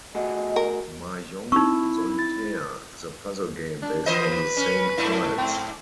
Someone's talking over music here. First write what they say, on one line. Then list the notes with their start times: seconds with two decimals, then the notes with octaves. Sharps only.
Mahjong solitaire is a puzzle game based on the same tiles.
0.15 A3 F#4 G#4 D#5
0.56 A#4
1.52 C4 D#4 E4 C#6 E6
2.19 A6
3.82 D4
4.06 E3 B4 C5 D#5
4.57 C#4
4.97 G#2 A3 E4
5.38 C4